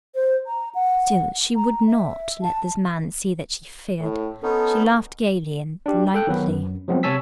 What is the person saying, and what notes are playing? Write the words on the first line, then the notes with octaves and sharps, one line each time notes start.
Still she would not let this man see that she feared; she laughed gaily and lightly.
C5
A#5
F#5
A#5
E5
A5
A2
B3 C#4 D#4 A4
D4 G4
A4 G5 F#6
D#3 F#3 B3 B4
F#2
F3 F#3 G#3 B3 C4
C3 C#5 G#5 A5 E6 B6